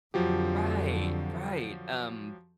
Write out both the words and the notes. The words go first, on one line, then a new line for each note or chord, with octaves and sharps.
Right, right, um,
F2 D3 F3 F#3 G4